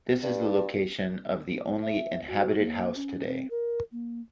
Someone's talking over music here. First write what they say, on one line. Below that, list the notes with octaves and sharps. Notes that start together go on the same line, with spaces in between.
This is the location of the only inhabited house today.
G2
E5
F#4
A#3
C#4
C4
A#4
A#3